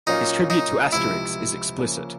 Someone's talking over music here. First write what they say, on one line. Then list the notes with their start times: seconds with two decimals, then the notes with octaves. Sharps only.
His tribute to "Asterix" is explicit.
0.07 A#2 F#3 A#3 C#4 D#4 F4
0.50 D#4
0.92 C#2 C3 F3 E4
1.79 C#3 F3 A#3 C#4